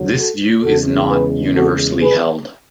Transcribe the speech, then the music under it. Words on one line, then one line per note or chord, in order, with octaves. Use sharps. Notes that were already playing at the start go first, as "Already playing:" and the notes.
This view is not universally held.
Already playing: E2 D3 F#3
F#4 A4
E2 C#3 G#3 F#4 A4
G#4 B4
F#4 A4
G#4 B4